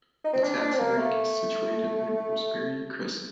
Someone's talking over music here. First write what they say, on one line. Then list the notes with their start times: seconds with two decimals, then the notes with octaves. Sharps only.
The taxi rank is situated in Rosebery Crescent.
0.24 D#4
0.33 C4
0.43 D4
0.61 D4
0.72 C4
0.79 A#3
0.97 A3